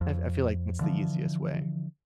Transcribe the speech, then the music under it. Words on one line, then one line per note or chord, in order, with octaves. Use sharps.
I f I feel like that's the easiest way.
F2
D3 E3 F3